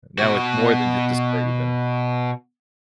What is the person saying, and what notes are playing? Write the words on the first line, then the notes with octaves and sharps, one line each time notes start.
Now it's more than just a story even.
B2 F#4